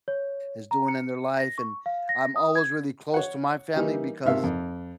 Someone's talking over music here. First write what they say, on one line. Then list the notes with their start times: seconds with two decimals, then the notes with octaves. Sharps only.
is doing in their life, and I'm always really close to my family, because
0.08 C#5
0.71 A#5
0.88 C#7
1.39 A#6
1.58 C#6
1.86 F5
2.09 A#6
2.36 D#6
2.55 G#6
3.14 C#5 F#5
3.75 E3 G3 A#3 D#4
4.25 G#1 C3 A#3 E5 F5
4.44 F2